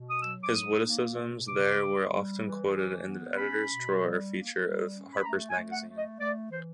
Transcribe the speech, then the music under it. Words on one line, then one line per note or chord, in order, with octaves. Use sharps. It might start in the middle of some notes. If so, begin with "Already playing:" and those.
His witticisms there were often quoted in the "Editor's Drawer" feature of "Harper's Magazine".
Already playing: B2
D#6
F#3 E6
D6
D#4 D#6
A#3
B2
C#3 D6
G3
G3
E3
E3
B3
C#4 B5
B2
G3
A#3
G3
C#4
B5
A3 A#5
G#5
A3
F#5
A3
D#5
A3 D5
E3 C5